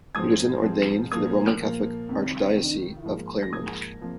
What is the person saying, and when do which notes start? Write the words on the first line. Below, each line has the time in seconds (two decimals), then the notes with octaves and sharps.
He was then ordained for the Roman Catholic Archdiocese of Clermont.
0.15 G#2 F3 C4 D#6 G#6
0.63 G#2 F3 C4
1.12 A#2 F3 A#3 D#6 G#6
1.61 A#2 F3 A#3
2.09 F2 C3 D#3
2.57 F2 C3 D#3
3.05 G#2 F3 A#3
3.43 A#6
3.53 G#2 F3 A#3 D#6 G#6
4.01 C3 F3 A#3